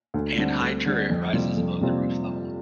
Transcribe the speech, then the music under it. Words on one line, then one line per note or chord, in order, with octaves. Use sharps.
An high turret rises above the roof level.
D2
D3 G3 C4
D2
D3 G3 C4
F2
C3 G3 C4 F4
F2
C3 G3 C4 F4